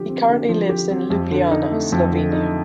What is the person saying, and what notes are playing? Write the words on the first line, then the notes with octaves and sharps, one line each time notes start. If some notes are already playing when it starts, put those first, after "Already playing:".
He currently lives in Ljubljana, Slovenia.
Already playing: D3 F3 G4
C4
D3
F3
G4
C4
F2
D3
D#4
A3
F2
D3
D#4